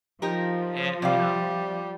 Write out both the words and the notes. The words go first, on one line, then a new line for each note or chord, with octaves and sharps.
and, you know
F3 D#4 G4 A#4
C3 G3 D5 F5